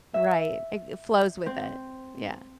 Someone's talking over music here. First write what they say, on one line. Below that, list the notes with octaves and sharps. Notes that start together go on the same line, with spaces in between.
Right. Like, flows with it, yeah.
E5
C4